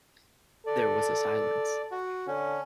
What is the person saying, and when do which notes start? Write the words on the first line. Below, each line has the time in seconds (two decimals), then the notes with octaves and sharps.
There was a silence.
0.66 A4 D5
1.91 F#4
2.27 D3 C#4